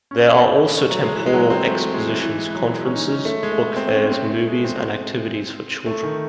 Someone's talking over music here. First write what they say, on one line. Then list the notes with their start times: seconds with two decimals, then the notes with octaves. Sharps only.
There are also temporal expositions, conferences, book fairs, movies, and activities for children.
0.11 C#4
0.37 C#4
0.64 A3
0.77 A3
0.90 F#3
1.03 G#3
1.16 E3
1.26 G#3
1.33 F#3
1.50 C4
1.68 A3
1.81 A3
1.94 G#3
2.07 E3
2.20 E3
2.37 G#3
2.48 E3
2.55 F#3
2.73 G#3
2.85 C#4
2.94 D#4
2.99 C#4
3.12 C#4
3.25 A3
3.43 G#3
3.51 A3
3.77 C4
3.88 C4
3.95 C#4
4.12 C4
4.24 C4
4.30 A3
4.47 G#3
4.64 C4
5.86 A3
6.03 D#3